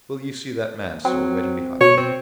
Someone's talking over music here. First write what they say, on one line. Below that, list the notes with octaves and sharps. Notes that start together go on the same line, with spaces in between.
"Will you see that man, sir, waiting behind me?"
F#3 C4
B2 C#5
C4